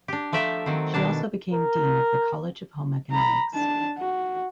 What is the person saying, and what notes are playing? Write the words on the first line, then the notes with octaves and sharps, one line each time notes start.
She also became Dean of the College of Home Economics.
D4 G4
F3 A3 D5 E5 G5 A#5
D#3 F#3 C4
B2 D#3 D4 A5
A#4
A#5 B5
D4 A5
F#4